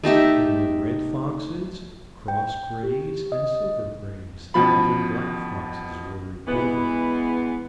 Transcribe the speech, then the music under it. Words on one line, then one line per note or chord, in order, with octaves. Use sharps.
There were red foxes, "cross-grays," and "silver-grays;" even black foxes were reported.
A3 D#4 G4 E5
G5
G4
D#5
A1 B2 F3 B5
E3 G#3 B3